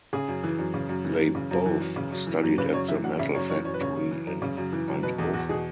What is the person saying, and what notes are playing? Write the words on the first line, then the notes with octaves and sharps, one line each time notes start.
They both studied at the Metal Factory in Eindhoven.
C#3 G#4
F#2
E3
F#2
C#3
F#2
E3
F#2
C#3
F#2
E3
F#2
C#3
F#2
E3
F#2
C#3 B4
F#2 C#5
E3 E5
F#2 F#5
C#3 E5
F#2 C#5
E3 C#5
F#2 C#5
B4
C#3 C#5
F#2
E3
F#2
C#3
F#2
E3
F#2
B2 B4
E2 G#4
E2 F#4
B2 G#4